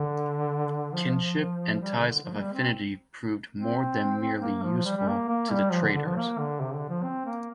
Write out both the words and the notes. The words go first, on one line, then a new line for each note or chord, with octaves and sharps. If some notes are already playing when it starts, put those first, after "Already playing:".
Kinship and ties of affinity proved more than merely useful to the traders.
Already playing: D3
F3
G3
C3
D3
F3
A#3
G3
C4
C4
A#3
F3
F3
G3
G3
A#3
A#3
G3
F3
D3
D3
F3
A#3
D3
C3
D3
F3
C4
A#3